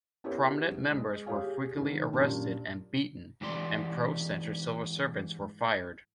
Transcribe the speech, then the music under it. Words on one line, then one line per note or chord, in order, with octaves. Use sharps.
Prominent members were frequently arrested and beaten, and pro-Centre civil servants were fired.
B3 E4 G4 G#4 A#4 C#5
G#3
G4 G#4 C#5 F5 G#5
G#2 D#3
F#2 A#2 D4 G4
G#2 E3 G4 D5 C6